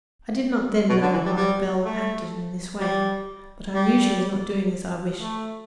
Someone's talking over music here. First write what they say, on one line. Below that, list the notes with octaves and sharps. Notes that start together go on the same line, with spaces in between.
I did not then know why Belle acted in this way; but I knew she was not doing as I wished.
B2
D3
E3
G3
G3
A3
G3
G3
A3